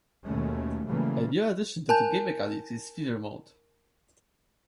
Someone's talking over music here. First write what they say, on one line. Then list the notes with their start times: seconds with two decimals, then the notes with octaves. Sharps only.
A new addition to the game mechanics is Fever mode.
0.24 D#2 B2 D#3 G#3 A3 C#4
0.87 C#3 E3 F#3 G3 A3 A#3
1.89 A#4 G#5 A5 G6